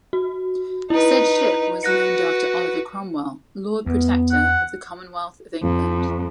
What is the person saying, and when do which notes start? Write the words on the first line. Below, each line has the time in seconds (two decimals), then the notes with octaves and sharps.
Said ship was named after Oliver Cromwell, Lord Protector of the Commonwealth of England.
0.13 F#4
0.90 D#4 E4 B4
1.83 F#4 B4 F#6 A#6 C#7
3.86 E2 B3
4.31 F#5
5.63 F2